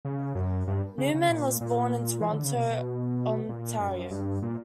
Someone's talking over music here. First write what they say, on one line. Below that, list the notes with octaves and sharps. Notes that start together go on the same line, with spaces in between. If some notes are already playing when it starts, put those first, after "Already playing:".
Newman was born in Toronto, Ontario.
C#3
F#2
G2
C#3
C#3
A#2
A#2
E3
D3
C#3
B2
B2
A#2
F#2
G2
A#2